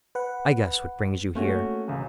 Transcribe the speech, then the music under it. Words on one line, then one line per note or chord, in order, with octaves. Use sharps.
'I guess what brings you here.'
B4 F#5
A3 A#3 C#4 F#4
E1 C#2